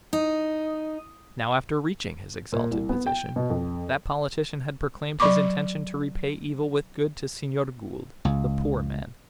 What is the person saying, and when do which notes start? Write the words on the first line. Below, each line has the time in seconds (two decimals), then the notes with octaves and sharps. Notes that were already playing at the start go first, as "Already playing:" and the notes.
Now, after reaching his exalted position, that politician had proclaimed his intention to repay evil with good to Senor Gould--the poor man.
0.13 D#4
2.52 A#2
2.71 C2
2.89 B3
3.06 G5
3.36 B2
3.50 F2
5.20 F#3 D5 B5 C#6 D6
8.25 C#2